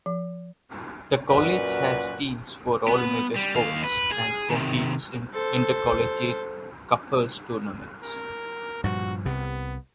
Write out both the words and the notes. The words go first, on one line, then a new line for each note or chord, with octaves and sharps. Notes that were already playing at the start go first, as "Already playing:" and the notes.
The college has teams for all major sports, and competes in inter-collegiate "cuppers" tournaments.
F3
F#2 A#2 F#4 B4 D5
B3
G3
D#2 F5
B4
G#4
C3 D#3
A4 C5
A#4
G2 A#2 F3 F#4
C2 C3 B3